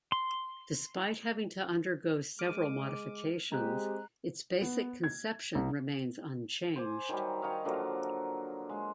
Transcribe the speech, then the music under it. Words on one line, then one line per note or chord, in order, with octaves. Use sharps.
Despite having to undergo several modifications, its basic conception remains unchanged.
C6
G#3 D6 F6 D#7
G#3 C4 G4 A#5 F#6
B3
G#6
C2
C5 G#5 D6
D#3 F#3 G3
D#3 C#5 D#5 F5
D3 F3 F#3 A#3
G#3